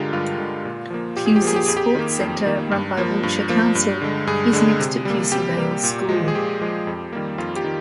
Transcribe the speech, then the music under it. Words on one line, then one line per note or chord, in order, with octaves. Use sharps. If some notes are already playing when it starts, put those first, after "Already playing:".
Pewsey Sports Centre, run by Wiltshire Council, is next to Pewsey Vale School.
Already playing: G2 D3 G#3 F4 G4 A#4
G2 F4
D3 G#3
A#2
F3 A#3
A#2 G4
G#4
G4
F3 A#3 G#4
G4
F2 G#4
G4
D#3 A#3
F2
D#3 A#3
G2
F3 A#3
G2
F3 A#3
G2
D3 G#3
G2 G#4
D3 G#3
C3
G3 A#3
C3 G4
G3 A#3
A#2
F3 G#3
G#4
A#2 G4
F3 G#3
F2
D#3 G3 A#3
F2 F4
G4
D#3